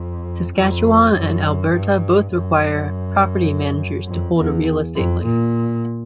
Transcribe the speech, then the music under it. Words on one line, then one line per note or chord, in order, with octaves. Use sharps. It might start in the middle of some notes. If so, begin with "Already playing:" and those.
Saskatchewan and Alberta both require property managers to hold a real estate license.
Already playing: F2
F2
F#2
G2
F#2
F2
E2
F2
A#2